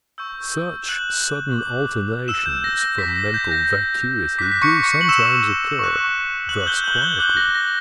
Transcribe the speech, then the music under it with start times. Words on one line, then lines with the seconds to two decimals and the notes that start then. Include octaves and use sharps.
Such sudden alternations from mental vacuity do sometimes occur thus quietly.
0.18 C#6 E6 G6
0.83 E7
0.89 F#6 F#7
1.58 D6 G6
2.28 E6 E7
2.46 G6
2.64 A#6
2.81 A#6
2.98 D6 G6 B6
3.16 A#6
3.34 G6
3.52 A#6
4.38 D6 B6
4.42 F#6
4.52 B6
4.62 C#6 C#7
4.86 C#6 C#7
5.01 F#7
5.09 E6 E7
5.79 C#6 F#6
6.49 F#6 F#7
6.61 F#7
6.67 G6 G7
6.84 F#6 F#7
6.95 F#7
7.01 G6 G7
7.19 D6 F#6 F#7
7.23 G6
7.37 A#6
7.55 A#6